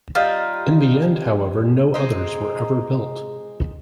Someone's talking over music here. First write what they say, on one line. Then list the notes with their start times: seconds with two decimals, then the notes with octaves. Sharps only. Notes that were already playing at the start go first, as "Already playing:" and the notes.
In the end, however, no others were ever built.
0.15 G3 C4 D#4 F4
1.94 G#3 C4 D#4